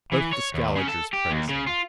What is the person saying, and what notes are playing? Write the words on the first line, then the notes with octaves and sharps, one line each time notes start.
Both the Scaligers praise him.'
E3
C#5
D#2
C#3
A4
G4
D#2
C#3
F4